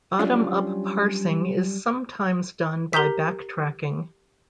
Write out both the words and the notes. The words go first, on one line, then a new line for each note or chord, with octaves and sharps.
Bottom-up parsing is sometimes done by backtracking.
F#3 G3 C#4 D4 F4
G4 A#4 A#5 G6 B6